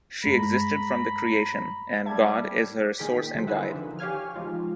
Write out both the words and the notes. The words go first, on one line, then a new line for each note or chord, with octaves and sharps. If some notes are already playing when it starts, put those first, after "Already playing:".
She existed from the Creation, and God is her source and guide.
G2 G#3 A#5 B5
G3 E5 A5 G#6
A#2 D#3 G#4 A#4 G5 B6
D3 F#3 C5
E4 G#4 A#4 B4 E5 F#5
D3 D#3 F3
G4 C#5 F5 G#5 F6
F3 G#3 D#4 F4